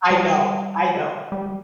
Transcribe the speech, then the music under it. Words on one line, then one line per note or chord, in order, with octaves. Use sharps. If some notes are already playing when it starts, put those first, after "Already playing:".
I know, I know.
G3
G3